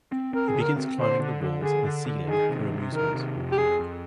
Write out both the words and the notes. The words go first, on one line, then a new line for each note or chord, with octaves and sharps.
He begins climbing the walls and ceiling for amusement.
C4
C4 A#4
G#4
D3
A#4
C4
D3 C5
D3
D3
D3 G#4
D3
D3
D#3 G#4
C3
C3
D#3 A#4
C3
F2
G4
F2 G#4
F2